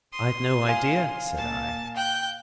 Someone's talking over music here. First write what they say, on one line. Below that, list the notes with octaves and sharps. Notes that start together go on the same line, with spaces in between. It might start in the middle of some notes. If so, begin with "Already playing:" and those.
"I'd no idea," said I.
C6 D#6
F5 G#5
A#2 A5 A6
G5 F#6 G6